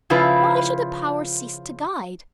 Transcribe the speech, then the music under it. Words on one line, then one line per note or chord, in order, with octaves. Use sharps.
Why should the Power cease to guide?
C#3 F3 E4 F4 B4